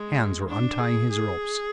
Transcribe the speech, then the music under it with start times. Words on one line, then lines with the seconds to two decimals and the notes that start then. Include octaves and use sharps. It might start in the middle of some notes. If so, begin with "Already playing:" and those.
Hands were untying his ropes.
Already playing: G#3
0.49 D4
0.79 G#4
1.10 G#4